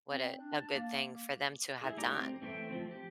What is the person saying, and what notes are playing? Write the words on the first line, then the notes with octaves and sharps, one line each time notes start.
What a a good thing for them to have done."
C4
D4
A5
A#3
E4 G#4
A3 D#4 G4 D5 A#5
C4
E3 A3 C5 E5 G5
F3 C4
G4